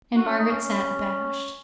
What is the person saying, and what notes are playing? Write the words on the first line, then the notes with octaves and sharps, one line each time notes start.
And Margaret sate abashed.
F#4
C#4
D#4
C#4
C#4